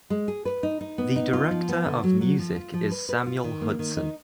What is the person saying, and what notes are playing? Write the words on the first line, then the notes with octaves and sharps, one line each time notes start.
The Director of Music is Samuel Hudson.
G#3
G#4
B4
D#4
D#4
B3
D#4
F4
F3
B3
D3
F#3
F#3
F3
F4
F3
B4
B4
F4
D#3
A#3
D#3
D#4